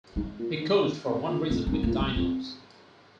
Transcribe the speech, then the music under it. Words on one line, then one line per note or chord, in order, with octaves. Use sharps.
He coached for one season with the Dinos.
G#2 G#3
A#2
D#3
D#3
C3
A#2
F2 A#3
C4
G#2
A#3
A#2
G#2
G#3
F2 C4